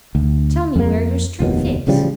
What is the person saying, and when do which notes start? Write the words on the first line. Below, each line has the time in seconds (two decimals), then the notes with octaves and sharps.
Tell me where your strength is.
0.15 D2
0.76 F2 A#3
1.40 F1 D#2 B2
1.87 A1 C#3 F3 G3